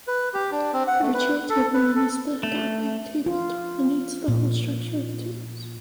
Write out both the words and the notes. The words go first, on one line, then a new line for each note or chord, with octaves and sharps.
The ritual table known as the "Agape" table dominates the whole structure of tombs.
B4
G4
D4
C4
F#5
A3
B4
A4
B4
A4
A3
F4
A#2